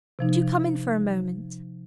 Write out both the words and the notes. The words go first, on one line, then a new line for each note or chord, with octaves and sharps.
Would you come in for a moment?
C3 F3 D#4